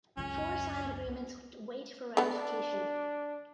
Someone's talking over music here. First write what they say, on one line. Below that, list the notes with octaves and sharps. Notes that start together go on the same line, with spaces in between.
Four signed agreements wait for ratification.
C#2 F#2 C#4
D3 B3 D4